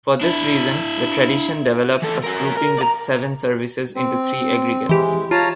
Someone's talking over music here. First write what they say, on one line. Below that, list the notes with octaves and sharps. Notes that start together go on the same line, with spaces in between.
For this reason, the tradition developed of grouping the seven services into three aggregates.
D4 E4
E3 A4
F#4 A#4
A#4
D5 A#5
C4
E3 G#3 G4
F4 C#5 A5 A#5